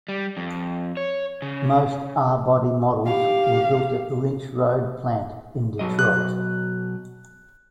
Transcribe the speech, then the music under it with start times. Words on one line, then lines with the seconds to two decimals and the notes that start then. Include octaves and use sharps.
Most R-body models were built at the Lynch Road Plant in Detroit.
0.08 G3
0.37 F2
0.97 C#5
1.42 C#3
3.05 G4 F5
5.79 B2 F#3 D#5
5.99 F#6